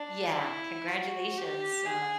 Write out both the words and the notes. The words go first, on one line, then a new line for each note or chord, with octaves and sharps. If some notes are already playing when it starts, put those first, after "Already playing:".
Yeah, congratulations on
Already playing: D4
E4
F#4
G4
G#4